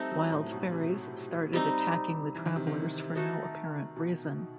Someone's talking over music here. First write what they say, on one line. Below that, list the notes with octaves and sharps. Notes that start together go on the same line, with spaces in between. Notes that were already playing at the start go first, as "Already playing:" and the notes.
Wild fairies started attacking the travelers for no apparent reason.
Already playing: G3 A3 C4 D#4
F#3
A2
B2
C3
G3 C4 D#4
E3
D#3
C3
D#3
A3 D#4 F#4 A4
B2